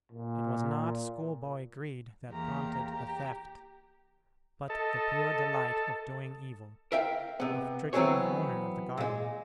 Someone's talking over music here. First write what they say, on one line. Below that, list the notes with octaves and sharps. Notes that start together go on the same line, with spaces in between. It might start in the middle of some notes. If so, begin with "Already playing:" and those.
It was not schoolboy greed that prompted the theft, but the pure delight of doing evil, of tricking the owner of the garden.
A#2
E2 A#3 G4 A#5
G4 A#5
A4 D#5
A#4 E5 F5 G5
C3 B3
E3 F#3 B3 C4 G#4 C#5
A#2 G#3